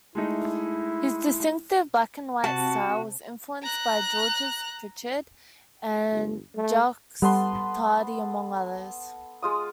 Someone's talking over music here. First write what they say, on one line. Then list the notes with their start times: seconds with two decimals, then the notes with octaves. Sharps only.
His distinctive black-and-white style was influenced by Georges Pichard and Jacques Tardi, among others.
0.15 G#3 A3 D#4 E4
2.44 C3 F#4 A5
3.63 A#5 F#6
6.12 G1
6.55 A3
7.22 G3 B3 A4 C6
9.42 G#3 F4 D#6